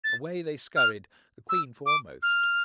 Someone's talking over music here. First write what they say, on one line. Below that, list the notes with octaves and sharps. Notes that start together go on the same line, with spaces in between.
Away they scurried, the queen foremost.
A6
F6
E6
D6
F6